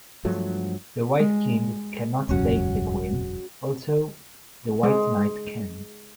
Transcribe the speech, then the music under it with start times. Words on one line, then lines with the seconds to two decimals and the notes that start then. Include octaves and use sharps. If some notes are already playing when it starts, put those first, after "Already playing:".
The white king cannot take the queen, although the white knight can.
0.25 G2 F3 F#3 A3
1.19 G#3
2.29 E1 C#2 F#2 C#4 F#4
4.83 G#3